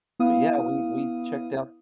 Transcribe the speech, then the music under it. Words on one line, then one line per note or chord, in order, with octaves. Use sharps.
but, yeah, we we checked out
B3 E4 F5 D#6